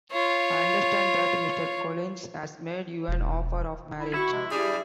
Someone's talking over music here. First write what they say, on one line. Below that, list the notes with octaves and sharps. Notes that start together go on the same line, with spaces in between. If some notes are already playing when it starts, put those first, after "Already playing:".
I understand that Mr. Collins has made you an offer of marriage.
F4 C#5
E1
E4
E4 F#4 B5 C#6
C3 F3 G#3
G3 D4 E4 G4 G#4